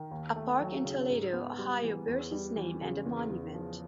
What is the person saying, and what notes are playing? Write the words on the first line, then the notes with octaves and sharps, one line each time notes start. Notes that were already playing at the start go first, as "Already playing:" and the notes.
A park in Toledo, Ohio, bears his name and a monument.
Already playing: D#3
D#2
A3
F#3
C#3
G#2
B3
G3
E3
E2
G3
E3
C#3
E2
E2
F3